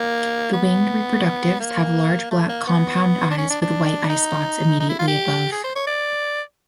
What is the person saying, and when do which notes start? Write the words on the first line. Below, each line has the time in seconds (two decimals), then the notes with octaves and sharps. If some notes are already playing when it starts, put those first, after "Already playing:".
The winged reproductives have large black compound eyes with white eyespots immediately above.
Already playing: A#3
0.53 B3
1.60 A#3
2.31 A3
2.49 A#3
2.67 B3
3.31 D4
3.38 C#4
3.50 D4
3.62 D4
4.09 D#4
4.80 D#4
4.89 E4
4.99 F4
5.08 G4
5.52 G#4
5.64 C5
5.75 C#5
5.87 D5